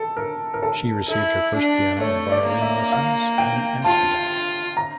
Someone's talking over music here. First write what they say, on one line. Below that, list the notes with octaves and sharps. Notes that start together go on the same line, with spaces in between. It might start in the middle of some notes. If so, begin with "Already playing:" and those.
She received her first piano and violin lessons in Amsterdam.
Already playing: A4
A#4
A#4
A4
E4 A4
D4
A3 C#5
D5
A#3
E5
F5
G5
F4 A5
A#5